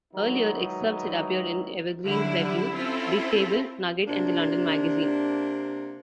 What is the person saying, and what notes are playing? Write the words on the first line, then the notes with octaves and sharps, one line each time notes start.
Earlier excerpts had appeared in "Evergreen Review", "Big Table", "Nugget", and "The London Magazine".
D#3 F#3 G#3 B3 D#4 E4
D3 F#3 G3 E4
C4 C#4 E4 F4 A4
C3 A#3 D4